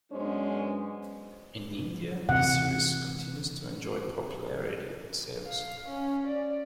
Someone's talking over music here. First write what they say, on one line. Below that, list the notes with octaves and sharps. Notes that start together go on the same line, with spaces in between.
In India, the Series continues to enjoy popularity and sales.
F#2 G#3 B3 C#4 D4 C5
C3 E3 C4 F#5
F5
C#4
D5